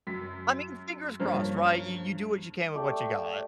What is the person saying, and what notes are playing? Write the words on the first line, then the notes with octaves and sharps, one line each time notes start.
I mean, fingers crossed, right? You you do what you can with what you got.
F#2 B6
G2 F3 A#3 C#4
A3 G4 D5